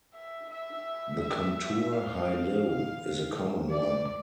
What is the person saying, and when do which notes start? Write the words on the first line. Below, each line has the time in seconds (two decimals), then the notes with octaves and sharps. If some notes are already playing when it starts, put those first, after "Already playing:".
The contour high-low is a common one.
0.14 E5
0.50 E5
1.21 E5
1.92 F5
3.70 D5